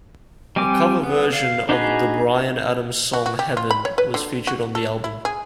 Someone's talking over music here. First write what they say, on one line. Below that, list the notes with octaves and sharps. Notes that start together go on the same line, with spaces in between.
A cover version of the Bryan Adams song "Heaven" was featured on the album.
G3 C4 G#5 D6
B3
F5
D4 D#4 F#4 G#4 B4
F#4
F#4
G4
F4
B5
C#5
B4
D3
F#4
A4
E4
G#4